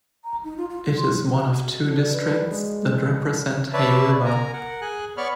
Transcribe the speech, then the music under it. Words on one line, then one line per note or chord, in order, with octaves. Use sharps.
It is one of two districts that represent Hay River.
A#5
D#4
F4
F4
F4
C6
G#3 F#4 D#5
D4 D5 D#5
B4
G#3 B3
B4 C#5 D5 E5 A5
A#4 G#5 A#5
A#4 F#5
G#4 G#5 F#6
B3 C#5 D5 B5 C#6 F6